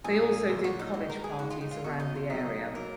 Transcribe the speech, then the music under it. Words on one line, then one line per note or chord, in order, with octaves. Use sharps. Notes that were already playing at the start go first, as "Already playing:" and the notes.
They also did college parties around the area.
A#1 A#2 F#3 G#4
A#1 A#2 F#3
F#4
D#4
G#2 D#3 G#3 D#4
A#4
G#4
G#2 D#3 G#3 F#4
F4
D#4
F4
B1 B2 F#3 F#4
D#4
F4
B1 B2 F#3 D#4
F#3 A#3 A#4